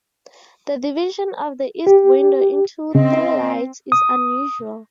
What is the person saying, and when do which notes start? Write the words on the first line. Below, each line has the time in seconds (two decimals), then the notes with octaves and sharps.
The division of the east window into three lights is unusual.
1.87 G4
2.95 C#3 C4 D#5
3.92 D#6